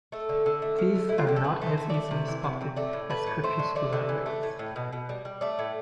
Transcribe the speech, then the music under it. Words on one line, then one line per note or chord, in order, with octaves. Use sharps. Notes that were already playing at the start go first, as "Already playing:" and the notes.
These are not as easily spotted as crepuscular rays.
A3 A4
D3
D3
A3
F3
D3
A3 E4
F4
D3 G4
A4
A3 B4
A3 C5
A3
A3 D5
C3
E3
C3
C3
A3 D5
A2
A3 B4
A2
A3 C5
D3
A3 D5
D3
E3
A3
A2
A2
B2
B2
G3
G3
A3 D5
A2